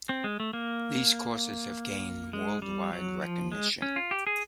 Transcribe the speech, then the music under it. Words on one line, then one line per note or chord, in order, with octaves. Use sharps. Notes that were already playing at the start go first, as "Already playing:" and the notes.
These courses have gained worldwide recognition.
C4
G#3
A3
A#3
G#3
G3
F#3
F3
G#3
C#4
F4
G4
G#4